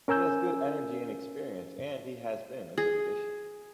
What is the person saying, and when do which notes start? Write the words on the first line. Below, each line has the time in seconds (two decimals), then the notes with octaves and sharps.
He has good energy and experience and he has been a good addition.
0.08 C#4 A#4 G#5 E6 G6
2.78 G#4